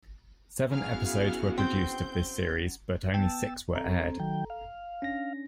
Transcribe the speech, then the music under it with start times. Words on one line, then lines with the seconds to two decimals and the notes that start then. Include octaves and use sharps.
Seven episodes were produced of this series, but only six were aired.
0.71 C#3 F#3 B3 E4 F#4 G#4 F5 F6
1.58 C4 G6
3.14 B3 G5 A5 E6
3.75 C4 A4 A#5
4.20 D#3 F#3 G5
4.50 F5
5.02 C#4 D4 A#6